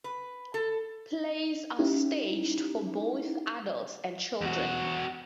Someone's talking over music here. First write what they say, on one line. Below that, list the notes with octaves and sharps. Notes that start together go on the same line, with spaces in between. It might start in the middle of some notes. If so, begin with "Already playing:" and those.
Plays are staged both for adults and children.
B4
A4
C#4 D#4 E4 G4
E2 F#4